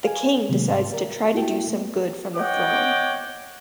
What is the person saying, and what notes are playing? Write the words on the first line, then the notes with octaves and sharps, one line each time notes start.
The king decides to try to do some good from the throne.
F5 G#5
C3 D#3 F#3 G#3 A#3 B3
G#2 C6
A#4
A#3 E4 F#4 G4 G5
A3 B3
C#5 D#5 F#5 G5 D6